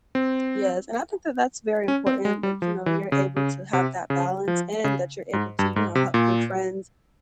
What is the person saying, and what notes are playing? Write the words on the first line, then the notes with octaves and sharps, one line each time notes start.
Yes, and I think that that's very important that, you know, you're able to have that balance and that you're able to, you know, help your friends
C4
C#4
C4
G#3
G3
F3
E3
C#3
C#3
C3
C#3
F3
C#3
G#2
G2
G#2
C3
A#2